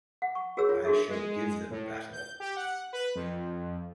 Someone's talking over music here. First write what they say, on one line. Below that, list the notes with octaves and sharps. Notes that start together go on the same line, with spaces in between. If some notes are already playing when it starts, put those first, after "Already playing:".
I shall give them battle.
F#5
C#6
F#4 G#4 A#4 C#5 E6
F4 C#5
D4 F#4 G#4 A4 E5
G#3
A2
G6
G4
F#5
B4
F2